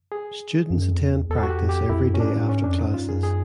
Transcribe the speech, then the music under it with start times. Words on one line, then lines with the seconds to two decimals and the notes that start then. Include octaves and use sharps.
Students attend practice every day after classes.
0.12 G#4
0.70 F#2
0.91 F2
1.10 E2
1.30 E2 A4
1.43 F#4
1.50 G4
1.60 F2
1.69 G4
1.89 F2 E4
2.04 F#2
2.14 C#4
2.19 G#2 D4
2.34 A2
2.49 G#2 C#4
2.64 F#2 D4
2.68 F2
2.78 D#4
2.88 G2
2.94 F4
3.08 F#2 G#4
3.23 G#4